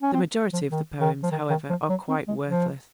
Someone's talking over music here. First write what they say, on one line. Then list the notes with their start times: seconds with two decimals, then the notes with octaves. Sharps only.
The majority of the poems, however, are quite worthless.
0.02 C#4
0.14 C4
0.53 F3
0.71 D#3
1.01 D#3
1.23 F3
1.31 D#3
1.50 D#3
1.70 F3
1.89 F#3
2.09 C4
2.28 G#3
2.48 F3